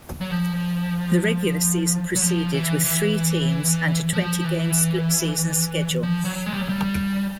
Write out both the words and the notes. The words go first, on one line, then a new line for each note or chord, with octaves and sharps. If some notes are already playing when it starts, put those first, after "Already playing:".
The regular season proceeded with three teams and a twenty-game split-season schedule.
F#3
F3
F#3
F3
E3
E3
F3
E3
F3
F#3
G#3
G3
F#3
G3